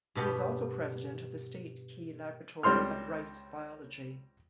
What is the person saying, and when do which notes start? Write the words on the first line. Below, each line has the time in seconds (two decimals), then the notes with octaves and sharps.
He is also president of the State Key Laboratory of Rice Biology.
0.15 G2 B2 B3 G4
2.63 C#2 G3 C4 C6 F6